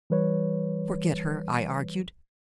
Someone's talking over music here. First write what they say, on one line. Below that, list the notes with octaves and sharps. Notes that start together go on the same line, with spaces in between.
"Forget her," I argued.
E3 G3 B4 C#5